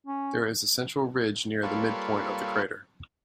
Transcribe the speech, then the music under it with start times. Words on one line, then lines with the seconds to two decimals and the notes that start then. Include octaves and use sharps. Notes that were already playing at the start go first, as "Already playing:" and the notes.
There is a central ridge near the midpoint of the crater.
0.07 C#4
1.63 G3 A#3 F4 A4 B4 C#5